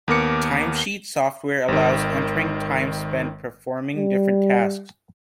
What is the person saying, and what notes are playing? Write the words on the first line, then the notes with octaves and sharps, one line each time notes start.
Timesheet software allows entering time spent performing different tasks.
D#2 B3 A#4 D6 C#7
G#1 D#3
G3